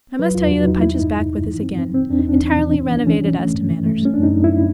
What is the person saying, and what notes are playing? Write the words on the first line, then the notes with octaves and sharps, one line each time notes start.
I must tell you that Punch is back with us again, entirely renovated as to manners.
F#3 B4
E2 F4
F#3 F#4
E2 D#4
G3 E4
G2 D#4
G2
G2
E3
C4
C4
C4
E2 D4
D#4
E2 D4
E3
E3
D4
C#2 C#4
E3
D4
E3 C#4
E3
A3
G2
E3
A3
G3 C#4
F#2 D4
D#4
F#2
E4